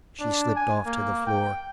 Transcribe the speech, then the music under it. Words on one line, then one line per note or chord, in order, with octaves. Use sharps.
She slipped off to the floor.
D4
G#5
A#3
G5